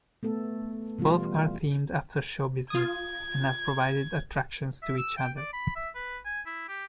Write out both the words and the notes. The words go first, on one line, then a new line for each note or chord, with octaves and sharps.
Both are themed after show business, and have provided attractions to each other.
A3 B3 A4
B2 E3 G3 F4
F4 D#6 G#6
E5
E6
G5
D5
B5
E5
B4
G#5
E4
G4